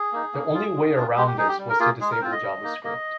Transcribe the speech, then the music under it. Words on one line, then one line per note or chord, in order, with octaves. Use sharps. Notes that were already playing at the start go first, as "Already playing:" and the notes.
The only way around this was to disable JavaScript.
Already playing: G#4
A#3 D#4
A#3
F4
G#3
D4 F4
G#3 G4
G4
D#4 G#4
G4
G3
A#4
A#3 F4 G#4
G#3 G#4
A#4
C4 F4 C5
D#5
G3
A#3 D#4
A#3 D#5